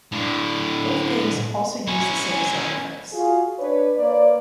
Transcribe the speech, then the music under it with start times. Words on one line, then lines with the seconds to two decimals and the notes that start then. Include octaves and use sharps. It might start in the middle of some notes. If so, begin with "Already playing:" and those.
Both games also use the same sound effects.
0.12 A2 D3
1.87 C#4 E4
3.12 F4 F#4 G#4
3.59 D4 B4 C#5
3.96 A#3 B4 C#5 D5